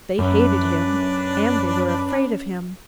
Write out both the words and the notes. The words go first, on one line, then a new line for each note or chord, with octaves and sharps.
They hated him, and they were afraid of him.
F#2 C#4 D4 B4 D6